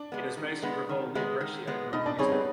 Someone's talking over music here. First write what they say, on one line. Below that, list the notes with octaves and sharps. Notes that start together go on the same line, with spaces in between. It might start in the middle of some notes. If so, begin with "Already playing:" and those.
It is based in Prevalle near Brescia in northern Italy.
Already playing: D4 D5
G#3 B3
D#3
G#3 B3
D#3
G#3 B3
D#3
G#3 B3
B2 D#4 D#5
D4 D5
G3 C4 C#4 D#4 G#4 C#5
B3 B4